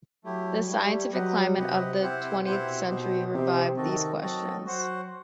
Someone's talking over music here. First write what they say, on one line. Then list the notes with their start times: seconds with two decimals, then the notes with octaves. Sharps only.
The scientific climate of the twentieth century revived these questions.
0.24 F#3 A3 E4 G4
0.68 G3 A3 E4 G4
1.12 F#3 G4 B4 D#5 F#5
1.56 C3 G4 B4 D#5 F#5
2.01 C3 C4 E4 G4 C5 F#5
2.45 B2 C4 E4 G4 C5 F#5
2.89 B2 C4 D#4 G4 C5
3.33 C3 C4 D#4 G4 C5
3.77 D#3 C4 F#4 A4 D#5
4.21 F#3 C4 F#4 A4 D#5
4.65 F#3 F#4 C5 F#5